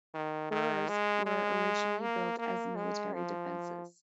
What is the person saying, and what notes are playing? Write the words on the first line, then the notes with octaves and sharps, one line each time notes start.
Burhs were originally built as military defences.
D#3
D#3
G#3
G#3
A#3
A#3
G#3
F3